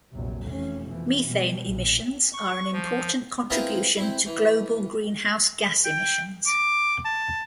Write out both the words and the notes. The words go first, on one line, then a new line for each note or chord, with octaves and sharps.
Methane emissions are an important contribution to global greenhouse gas emissions.
A#1 E2 C3 F#3
F1 E3 C#4
B2 E3 F3
B2 G3
A#1
C#6
F3
C4 E4 F4 G#4 A#4 B4
C4 E4
E3
G5
D6
A5